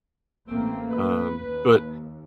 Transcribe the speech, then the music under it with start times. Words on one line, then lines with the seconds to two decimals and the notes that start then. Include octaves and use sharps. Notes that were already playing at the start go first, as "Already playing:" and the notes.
um but
0.48 A1 A3 A#3 C4
0.90 B4
1.40 D#2